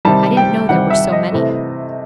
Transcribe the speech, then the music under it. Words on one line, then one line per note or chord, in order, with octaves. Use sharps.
I didn't know there were so many.
C3 D#3 G3 A5
G5
C3 D#3 G3 F#5
E5
D#5
C3 E3 A3